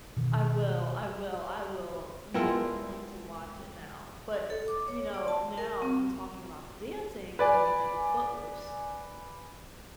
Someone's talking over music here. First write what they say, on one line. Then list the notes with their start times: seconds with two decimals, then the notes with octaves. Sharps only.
I will I will I will make a point to watch it now, but, you know, now you talking about the dancing made me think of "Footloose"
0.17 B2 D#3
2.34 G#3 B3 E4 F4 A4 A#4 G5
4.50 A4
4.68 D6
4.88 C#5
5.14 D5
5.28 A5
5.58 A#4
5.82 C4
7.39 B4 D5 G#5